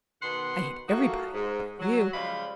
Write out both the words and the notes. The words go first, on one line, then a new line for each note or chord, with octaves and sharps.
I hate everybody--but you!
B2 D#3 B3 F#5 C6
F#3 A3 A#3 D#4 F4 F#4
G#2
F#3
C#3 F3 G3 G#3 F4 B5